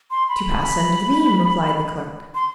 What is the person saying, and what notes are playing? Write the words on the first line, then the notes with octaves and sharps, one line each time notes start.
"To pass under the beam," replied the clerk.
C6
B5
C6